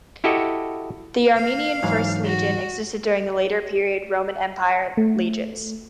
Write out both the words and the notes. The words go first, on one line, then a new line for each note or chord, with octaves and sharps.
The Armenian First Legion existed during the later period Roman empire legions.
E4 F#4 G4 A4 D#5
F5
G#2 E3 F#3
F#4
A3